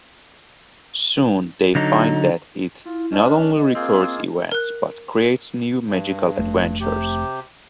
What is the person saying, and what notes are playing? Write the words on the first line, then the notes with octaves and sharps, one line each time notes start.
Soon they find that it not only records events, but creates new magical adventures.
D3 F#3 D#4
E4 F4
C#4 D4 D#5
A#3 C4 F4 G#4
A#4 F#6
G2
F1 A3
C3 G4